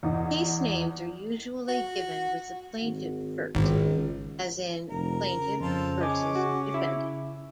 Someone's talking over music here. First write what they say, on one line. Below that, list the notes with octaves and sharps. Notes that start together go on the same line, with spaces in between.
Case names are usually given with the plaintiff first, as in "Plaintiff versus Defendant".
E2 D#4
F#4
G#1
G#1 C#2 D#3
F1 A#4
C#3
F2 C4 F4 A4
C#4 D#5 G#5 D6
F#4
E4 E5